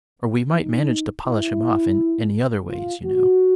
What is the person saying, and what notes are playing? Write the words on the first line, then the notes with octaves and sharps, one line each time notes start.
"Or we might manage to polish him off in any other way, you know."
D#4
E4
F4
F#4